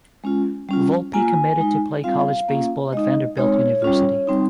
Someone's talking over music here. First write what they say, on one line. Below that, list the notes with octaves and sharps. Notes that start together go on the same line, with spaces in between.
Volpe committed to play college baseball at Vanderbilt University.
G#3 C#4 F4
G3 C#4 F4
A#3 F4 G#5
G#3 D#4
G3 C4 F4 F5
A#3 C#4 F4
G#3 D#4 D#5
G#3 C4 D#4 C#5
G3 C#4 F4
G3 C4 D#4